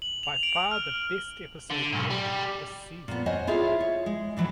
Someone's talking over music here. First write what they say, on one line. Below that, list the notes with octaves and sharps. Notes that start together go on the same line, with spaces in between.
By far the best episode yet this season.
F#7
F7
D7
F6
D3
B1 G#2
G3
A#2 B3
C5 C#5 D#5 F#5 G#5
E4 F4 G#4 C5 C#5 E5
C#5
G#3
D3 E3 F#3 G3 E4